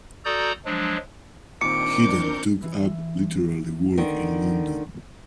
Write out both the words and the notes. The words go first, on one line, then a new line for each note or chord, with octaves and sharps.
He then took up literary work in London.
F#4 A4 D5 A#5 D#6 G6
F3 F#3 G#3 D4
A#2 D#3 C4 D4 A#4 D6 G6 C#7
E3
D3 D#3